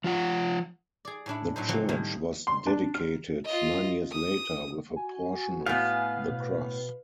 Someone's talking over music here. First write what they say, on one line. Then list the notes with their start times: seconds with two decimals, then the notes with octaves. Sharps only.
The church was dedicated nine years later, with a portion of the cross.
0.04 F3 F4 F#5
1.05 G#4 D5
1.26 A2 C#4 D4 E4
1.56 A2 F#3 D#4 C5
1.69 C#3 F3 F#3 A#3 C4 F#4
1.89 A2 D#3 G3 G#3 A#3
2.47 C6
2.67 D4
2.94 F6
3.45 F4 D#5
4.11 D#6
4.96 F#4 G#5
5.66 A2 B3 F5
6.29 B2 B4